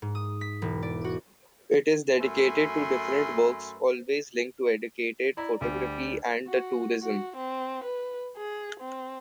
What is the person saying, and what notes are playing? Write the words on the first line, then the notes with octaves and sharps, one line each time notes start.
It is dedicated to different works, always linked to educated, photography and the tourism.
G#2
D#6
B6
E1
D5
F#4
F#2 A3 G#5 B5 C6
E4 D5 A#5
D2 G3
F#4
F#4
C4
B4
G#4
C4